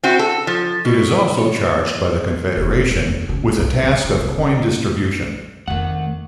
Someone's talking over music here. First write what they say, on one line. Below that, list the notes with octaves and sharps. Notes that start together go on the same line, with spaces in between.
It is also charged by the Confederation with the task of coin distribution.
C4 E4 F#4
A4
F3
B2
C#5
F1
F2
F2
C#3
C2
E3
D3
C2
C#4
C3
F2 D#3 A3 F#5